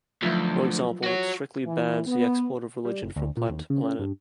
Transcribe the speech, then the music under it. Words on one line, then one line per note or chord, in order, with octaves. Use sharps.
For example, it strictly bans the export of religion from planet to planet.
D2 F3 F#3 F4
F#4 C#5
E3
B3
G3
F#1
D2
A#2
D#2
C#3
C#3
G2